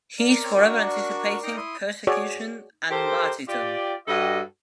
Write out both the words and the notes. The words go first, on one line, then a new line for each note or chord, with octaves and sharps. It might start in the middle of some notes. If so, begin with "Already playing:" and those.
He is forever anticipating persecution and martyrdom.
A#4 D5
C4 C#5
D4 F#4 C#6
D#4 G5 A#5
E4 C6 D#6
F#4 G#4 C#5 D5
G4 A4 A#4 C5
F4 G4 D5
G2 F#4 G4 A4 D#5